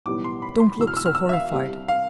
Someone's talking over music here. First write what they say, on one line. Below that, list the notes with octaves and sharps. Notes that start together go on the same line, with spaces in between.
Don't look so horrified.
B1 A2 E3 G3 B3 D6
C6
B5
C6
E1 E2 B2 E6
F6
E6
F6
E6
E5
F5
C2 C3 G3 C4
F5